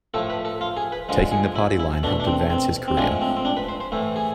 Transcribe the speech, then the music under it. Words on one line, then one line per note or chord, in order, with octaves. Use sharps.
"Taking the party line" helped advance his career.
A2 F3 A3 A4
B4
A4
F4
G#4
B4
D3 F3 G#3
G#4
E4
E4
B2 A3 D4
D4
C4
C4
C4
A2 F3 G#3 D4
C4
C4
D4
B4
C5
C5
A2 E3 A3
G#4